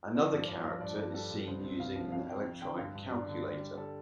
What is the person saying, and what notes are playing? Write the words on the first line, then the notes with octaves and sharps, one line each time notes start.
Another character is seen using an electronic calculator.
F3 D5
G2 D5
G2 D5
F3 F5
G2 D5
G2
G3 A4
G2
C2 C5
C3
C2 F5
F3
F2 F5
F2 G5
F2
D3 G5
G2 F5
G2
G2 D5
D3
G3 D5
G3
G3 A4